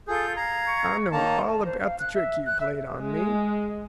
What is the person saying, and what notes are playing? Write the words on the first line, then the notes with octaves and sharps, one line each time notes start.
I know all about the trick you played on me.
F4 G#4 A4 G6
F5 A#5 G#6
C#6
D#3 A#3 D#4 C#5 A5 A#5
A5
C5
F5
F#6
E5
F#6
E5
G#3